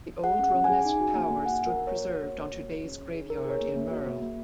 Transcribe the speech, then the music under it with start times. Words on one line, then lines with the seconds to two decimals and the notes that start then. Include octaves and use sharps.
The old Romanesque tower stood preserved on today's graveyard in Merl.
0.24 G#4 F#5
0.39 C#4 F#5
0.54 C#4
0.64 G#5
0.70 G#4
0.85 D#4
1.00 F#4
1.15 A#3
1.30 A#3
1.46 F#4 F#5
1.61 A#3
1.67 A#4
1.77 A#3
1.87 F#4 C#5
2.07 F#4
2.22 A#3
2.38 A#3
2.53 F#4
2.68 G#4
2.84 C#4
2.99 C#4
3.14 G#4
3.30 D#4 A#4
3.45 G#4 C#5
3.61 A#3
3.76 A#3
3.91 F#4
4.07 A#3
4.22 A#3